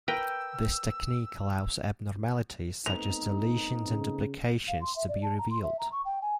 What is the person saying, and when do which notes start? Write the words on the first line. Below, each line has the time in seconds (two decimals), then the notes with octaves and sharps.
This technique allows abnormalities such as deletions and duplications to be revealed.
0.08 A#4 B4 G5 E6
2.86 A3 B3 C4 D#4 F7
3.88 C#3
4.68 F5
4.81 C6
4.96 E5
5.09 D5
5.23 A5
5.38 A#5
5.51 C6
5.63 E5
5.79 A#5
5.92 C#6
6.05 G5
6.22 G#5